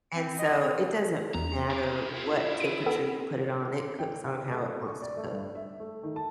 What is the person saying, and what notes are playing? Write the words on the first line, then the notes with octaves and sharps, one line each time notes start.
and so, it doesn't matter what temperature you put it on. It cooks on how it wants to cook.
C4
D#5
C4
E2 A#5
E4 A#4
E4 F4
D7 D#7
B3 A4
G5
C3
A3
C#6
D5
A3
G2
E5
A3
D#3
A5